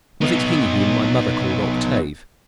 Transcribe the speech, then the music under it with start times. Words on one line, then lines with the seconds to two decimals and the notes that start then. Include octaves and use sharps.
Was it he whom my mother called Octave?
0.21 B3 D#4